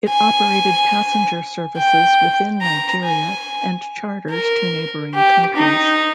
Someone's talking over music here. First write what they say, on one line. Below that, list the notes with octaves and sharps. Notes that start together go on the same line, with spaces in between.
It operated passenger services within Nigeria and charters to neighbouring countries.
G#5
G5
A#5
G#5
A#4
G4
D#4